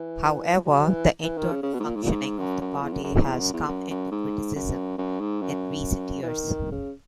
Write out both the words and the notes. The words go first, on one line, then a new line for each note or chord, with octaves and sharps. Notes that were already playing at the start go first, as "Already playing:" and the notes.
However, the internal functioning of the party has come into criticism in recent years.
Already playing: E3
F#3
E3
E3
D#3
C#3
C#3
B2
G#2
A#2
G#2
A#2
G#2
F#2
F#2
E2
F#2
F#2
G#2
E2
F#2
E2
F#2
F#2
G#2
F#2
F#2
G#2
F#2
E3
D#3
C#3